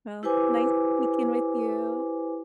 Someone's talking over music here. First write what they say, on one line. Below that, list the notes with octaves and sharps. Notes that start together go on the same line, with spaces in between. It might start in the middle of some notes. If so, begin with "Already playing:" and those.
Well, nice speaking with you
E4 G4 B4 C5 G#5 D6